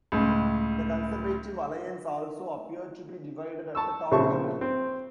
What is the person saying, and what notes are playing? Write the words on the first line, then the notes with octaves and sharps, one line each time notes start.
The Conservative Alliance also appeared to be divided at the top level.
C#2 A2
A5 C#6 E6
A#1 C#3 C4 E5 A5 C#6
C4